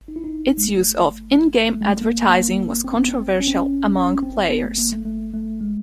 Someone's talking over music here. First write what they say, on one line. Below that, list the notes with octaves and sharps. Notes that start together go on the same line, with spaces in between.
Its use of in-game advertising was controversial among players.
D#4
E4
D#4
G#3
A3
A3
G#3
A3
A#3
A#3
C4
B3
C4
C#4
C4
C#4
C#4
C4
B3
A3
A#3
A3
A3
A3
G#3